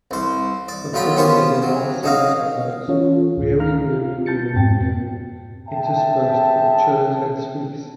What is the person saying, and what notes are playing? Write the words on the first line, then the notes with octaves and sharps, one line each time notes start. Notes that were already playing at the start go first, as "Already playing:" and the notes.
The call is a long series of notes, "weary-weary-weary-weary", interspersed with churrs and squeaks.
C2 C5
D5
B1 F#3 F4 G5 B5
B3 C#4 F4 G4 C5 C6
F#3
F#3 D#4 F5
E3 C#4 F4 A4 C#5
D2 A2
F5 A#5 F6
F4
A5 G6 A6 C#7
F2 G#2 C4 G5 A6
G#4 E5 G5 A5